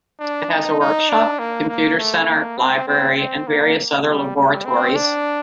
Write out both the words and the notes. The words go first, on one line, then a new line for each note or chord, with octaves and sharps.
It has a workshop, computer centre, library and various other laboratories.
D4
D#4
D#4
D4
A#3
A#3
A3
A#3
C4
C4
C4
A#3
G3
G3
C4
D4